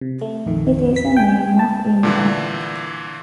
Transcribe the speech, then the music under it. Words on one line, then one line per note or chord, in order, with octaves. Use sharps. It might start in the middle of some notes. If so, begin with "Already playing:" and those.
It is a name of Indra.
C3
A3
A#1 F2 D#3
B6
G5 G#5
A5
A#2 D3 E3